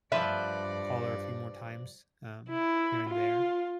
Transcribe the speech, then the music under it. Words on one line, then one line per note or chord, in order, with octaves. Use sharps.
call her a few more times, um, here and there.
G2 F3 B4 D5 E5
E4
F4